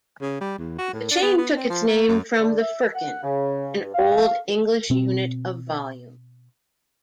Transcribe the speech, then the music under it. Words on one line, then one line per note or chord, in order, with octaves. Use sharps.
The chain took its name from the firkin, an old English unit of volume.
C#3
G3
E2
F#4
A2
D4
B3
B3
C4
F3
A#3
F#2
D3
E5
F#5
C#3
G2
F5
B2 C4